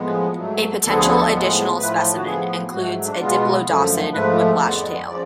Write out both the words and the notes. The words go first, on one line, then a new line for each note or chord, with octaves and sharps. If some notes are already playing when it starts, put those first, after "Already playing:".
A potential additional specimen includes a diplodocid whiplash tail.
Already playing: A2 F3 G#3 B3
G#2 F#3 A3
D2 D3 F3 B3 A4
G#4
A4
A2 F3 G#3 B3
A2 F3 A3 B4
F#4
A2 F3 B3 G#4
G#2 F#3 A3 F#4
D4
B2 G#3 B3 F4
F#2 D3 F3 A3
G#2 F3 A3 B4
F2 D3 G#3 B3 D5
C#3 F3 D5